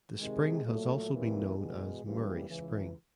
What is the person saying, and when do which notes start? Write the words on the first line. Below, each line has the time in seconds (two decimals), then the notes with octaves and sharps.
The spring has also been known as Murray Spring.
0.19 C3 D#3 G#3
0.65 A#2 F#3 A3
1.11 F2 C3 E3 G3 A#3
1.56 E2 B2 G#3
2.02 C#2 C#3 E3 G3 A#3
2.48 C#2 C#3 E3